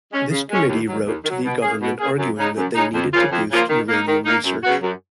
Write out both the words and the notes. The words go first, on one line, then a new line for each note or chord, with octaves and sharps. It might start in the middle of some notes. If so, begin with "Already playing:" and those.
This committee wrote to the government arguing that they needed to boost uranium research.
G#3 C#4
C#3
G#3 C#4
D#2
D#3 F#3
D#2
D#3
F#3
B2
A#3 C#4 G#4
B2
A#3 C#4 G#4
F#2
C#3 G#3 D#4
F#2
C#3 G#3 D#4
F2
C#3 F3 A#3 F4
F2
C#3 F3 A#3 F4
D#3
A#3 D#4
D#3
A#3 D#4
F#2
C#3 F#3 B3 F#4
F#2